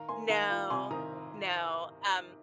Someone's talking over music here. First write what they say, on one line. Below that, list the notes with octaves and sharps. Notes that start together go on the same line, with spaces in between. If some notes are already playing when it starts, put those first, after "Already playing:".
No, no, um
Already playing: D#3 F5 A#5
A#3 G#5 C6
D#3 F5 A#5
F4
C3 G#5 C6
D#3 A#5 D#6